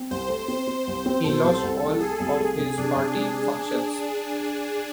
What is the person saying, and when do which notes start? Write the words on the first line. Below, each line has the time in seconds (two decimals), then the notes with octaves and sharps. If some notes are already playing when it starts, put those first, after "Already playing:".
He lost all of his party functions.
Already playing: C4
0.11 C2 C5
0.29 A3
0.48 C4 C5
0.67 C4
0.87 C2
1.06 C4
1.24 B2 A4
1.44 C2
1.64 C2
1.83 A3
2.00 A3 G#4
2.20 C2
2.39 A3
2.58 C3
2.78 C3 D4
2.96 C3
3.15 G#3